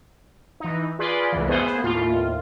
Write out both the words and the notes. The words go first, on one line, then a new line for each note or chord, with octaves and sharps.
"No," said Henry.
E3 D#4
F4 G#4 B4 D5 C6
C2 F2 E3
B3 G#4 C5
D#2 A2 F4